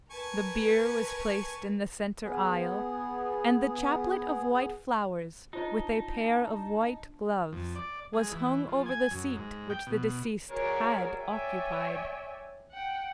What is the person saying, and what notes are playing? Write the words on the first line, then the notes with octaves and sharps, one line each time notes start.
The bier was placed in the centre aisle, and the chaplet of white flowers, with a pair of white gloves, was hung over the seat which the deceased had occupied.
A#4 B4 G#5 A5 C#6
B3 G#4
D4 D#4 F4 C5 D#5 A5
F2
D5
G#3
E3
F3
G#5
F#2
G#2
G5
B2
F#4 G#4 A#4 C#5 D5
C#5 D5 E5 G5 G#5
F#5 G5